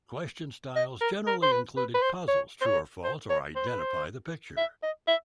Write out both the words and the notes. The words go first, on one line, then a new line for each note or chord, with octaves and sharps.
Question styles generally included puzzles, "true or false," or "identify the picture".
D#5
A#4
A#4
C5
B4
B4
B4
C5
C#5
C5
C#5
C5
C#5
C5
B4
C5
E5
D#5
E5